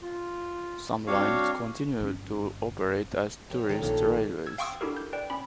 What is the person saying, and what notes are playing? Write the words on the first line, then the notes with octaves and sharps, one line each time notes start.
Some lines continue to operate as tourist railways.
F4
G3 C4 D4 F#4 C#5 F5
G1 D3 C#4
G4 A#4 C#5
D3 D#3 A4 C#5
A#1 A#2 D#3
E6 G#6
F5 G5 C6 C#6 D#6 E6
D4 E4 F#4 G4 A4 A#4
G6
B4 D5 G5
C#4 B5